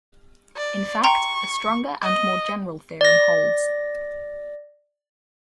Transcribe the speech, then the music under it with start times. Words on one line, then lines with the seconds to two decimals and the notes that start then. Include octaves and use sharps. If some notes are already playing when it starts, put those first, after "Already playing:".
In fact, a stronger and more general theorem holds.
0.57 D5
1.04 G5 A#5 C6 C#6
2.02 D#5
3.01 D5 A#6